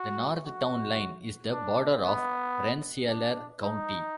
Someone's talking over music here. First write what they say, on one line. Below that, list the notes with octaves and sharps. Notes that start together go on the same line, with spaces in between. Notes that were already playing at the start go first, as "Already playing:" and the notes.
The north town line is the border of Rensselaer County.
Already playing: F#4
F#4
D4
B3
D4
D#4